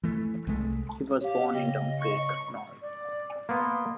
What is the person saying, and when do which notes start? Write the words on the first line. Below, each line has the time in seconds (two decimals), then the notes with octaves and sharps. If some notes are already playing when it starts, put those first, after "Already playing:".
He was born in Dunkirk, Nord.
0.03 E3 A3
0.47 C2 G#3 A3
1.21 G4 C#5 F5
1.53 C#3 D#5 G5
2.00 C#6
2.82 D5
3.49 A#3 B3 C6